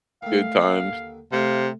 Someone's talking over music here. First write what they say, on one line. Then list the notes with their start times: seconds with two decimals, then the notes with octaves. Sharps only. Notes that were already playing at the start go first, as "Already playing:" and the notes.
Good times.
0.22 D#3 A3 F5
0.59 D#2 D3
1.32 C3 A3 F5